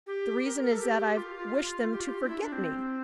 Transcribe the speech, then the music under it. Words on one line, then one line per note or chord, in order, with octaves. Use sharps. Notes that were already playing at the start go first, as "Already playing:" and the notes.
The reason is that I wish them to forget me.
G4
A#4
A#4
A4
G4
F4
G4
F4
G4
D4
E4
D4
C4